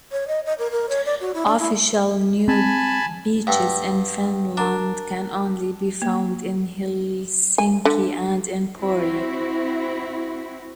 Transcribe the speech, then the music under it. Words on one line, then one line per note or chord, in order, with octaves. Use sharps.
Official nude beaches in Finland can only be found in Helsinki and in Pori.
C#5
D#5
D#5
A#4
A#4
C#5
D5
F#4
E4
D4
E4
C4 G#5 A5 B5
G2 F#5 G5 E6
D4 A#4 A#5
A#3
G#5
D3
C4 E4 F#4